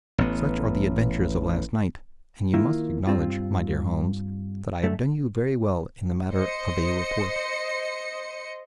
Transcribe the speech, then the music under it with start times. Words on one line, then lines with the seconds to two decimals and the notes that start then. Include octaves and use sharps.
Such are the adventures of last night, and you must acknowledge, my dear Holmes, that I have done you very well in the matter of a report.
0.18 A1 B3
2.54 D#3 A#3 E4 F4 A#4
3.07 G2 C4 F4
4.83 F#2 D3 A3
6.31 C5 D#5 C#7